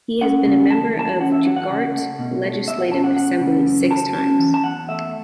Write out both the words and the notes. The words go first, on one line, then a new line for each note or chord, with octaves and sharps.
He has been member of Gujarat Legislative Assembly six times.
C#4 F#5
C#3
E2 A5
E3 A5
C#4 F#5
E5
F#3 F#5
F#5
C#3
A3
B2
A3
B2 E5
F#5
C#4 A5
F#5
A3 F#5
C#3
F#2
F#3 A5
C#4
E3
A5
E2 F#5
A3 E5